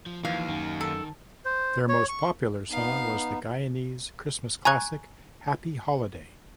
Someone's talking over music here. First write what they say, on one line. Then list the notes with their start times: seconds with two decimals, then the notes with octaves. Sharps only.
Their most popular song was the Guyanese Christmas classic "Happy Holiday".
0.06 F3
0.25 D#2 E3 F3 F5
0.49 F#2 D#3
0.81 A4
1.45 C5
1.89 C#5
2.09 C#6
2.70 B3 D#4 F5
4.65 G#5 A#5 C#6 F#6 G#6